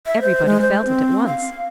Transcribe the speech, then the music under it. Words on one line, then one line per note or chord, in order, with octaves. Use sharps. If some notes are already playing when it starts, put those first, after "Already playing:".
Everybody felt it at once.
E5
C5
G#3
C5
C4
F5